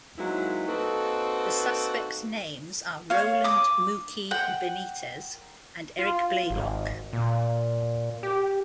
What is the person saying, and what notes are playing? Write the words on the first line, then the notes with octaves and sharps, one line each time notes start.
The suspects names are Roland "Mookie" Benitez and Eric Blaylock.
F#3 G#3 A#3 C4 D#4 E4
A#3 C4 D#4 F#4 A4 B4
C#5 F5
D6 D#6
F#5 G5
F4
G#1
A#2
G4